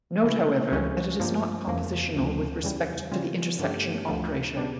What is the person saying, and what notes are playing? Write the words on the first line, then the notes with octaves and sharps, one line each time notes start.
Note however that it is not compositional with respect to the intersection operator.
C#3 E3 A3
C#2 C#3 G3 C#4
G2 F3 A#3
F2 C#3 E3 A#3
D2 D3 F3
E2 C#3 E3 G3
C#3 G3 C#4 F4
G2 D3 A3 C#4 G4
D2 D3 F3
C#3 G3 D4